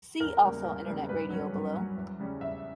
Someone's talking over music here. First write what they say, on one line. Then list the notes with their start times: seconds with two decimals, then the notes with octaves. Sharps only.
See also Internet radio below.
0.20 E2 A#4
0.42 C#3 G3 A#3
0.64 E2
0.86 C#3 G3 A#3
1.09 G2 B4
1.30 F#3 C#4
1.52 G2
1.74 F#3 C#4
1.97 E2
2.19 C#3 G3 C#4
2.41 E2 E5